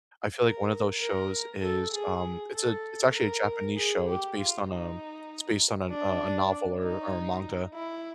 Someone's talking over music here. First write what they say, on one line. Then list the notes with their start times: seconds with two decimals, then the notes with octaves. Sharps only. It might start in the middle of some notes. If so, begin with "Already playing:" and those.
I feel like one of those shows is, um, it's a it's actually a Japanese show, it's based on, um it's based on a a a novel, or or a manga,
0.39 A#4
1.01 A#4
1.63 A4
1.93 G#4
2.54 A4
3.15 A#4
3.77 G#4
4.07 G4
4.38 F4
4.69 D#4
5.91 D4
6.83 D#4
7.75 E4